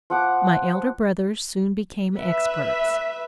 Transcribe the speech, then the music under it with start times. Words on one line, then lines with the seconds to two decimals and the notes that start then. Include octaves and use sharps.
My elder brothers soon became experts.
0.10 F3 F#5 D6
2.17 B4 E5